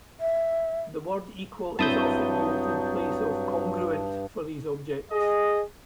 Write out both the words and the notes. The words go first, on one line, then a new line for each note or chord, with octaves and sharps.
The word "equal" is often used in place of "congruent" for these objects.
E5
G2 F#3 C4 D4 E4 A5 D#6 G6
G#4 D#5